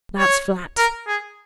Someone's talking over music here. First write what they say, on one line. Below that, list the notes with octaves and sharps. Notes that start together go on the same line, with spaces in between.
That's flat.'
C#5
A#4
G#4